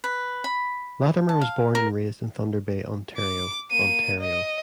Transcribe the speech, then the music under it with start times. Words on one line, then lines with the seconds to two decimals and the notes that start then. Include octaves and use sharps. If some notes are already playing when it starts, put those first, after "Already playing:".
Latimer was born and raised in Thunder Bay, Ontario, Ontario.
0.04 B4
0.44 B5
1.29 A5
1.41 F5
1.75 A#4
3.17 D6
3.71 A#3 D#7
4.20 D#5